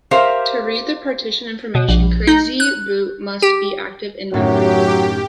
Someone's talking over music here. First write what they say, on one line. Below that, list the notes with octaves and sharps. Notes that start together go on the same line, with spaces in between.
To read the partition information, Crazy Boot must be active in memory.
G4 A#4 C5 E5 F5
B2
A#1
D#4
F#6
G4
F#2 A2 D#3 F#3 F#4 G4